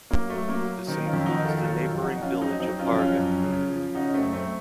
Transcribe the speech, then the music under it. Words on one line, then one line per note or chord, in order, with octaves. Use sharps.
This includes the neighbouring village of Hargen.
F#3 A#3
A3
F#3
A#3
F#3
D#3 C4 D#4
C#4 F4
F2
D#4 F#4
D#3
F4 A4
F#3 F4 A4
F4 A4
F2
D#4 F#4
F2
C#4 F4
F#3 C4 D#4
C4 D#4
F#3
C#4 F4
F2
C#4 F4
F#2
C#3
F3
C#3 D#4 F#4
C#4
A3 C4
F#2
A3 C4